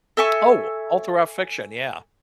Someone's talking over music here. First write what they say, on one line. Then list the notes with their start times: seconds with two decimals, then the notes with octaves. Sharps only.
Oh, all throughout fiction, yeah.
0.17 A4 E5 G#5 C#6